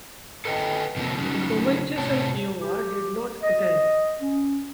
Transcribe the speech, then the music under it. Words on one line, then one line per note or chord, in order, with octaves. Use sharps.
The Comanches and Kiowa did not attend.
A4 B4 D#5 G5
C3 F3 F#3 A#3 C4
C#3 F#3 C#4 D#4 F#4
A2 C3 C4 C#5 A5
G4
D#5
C#4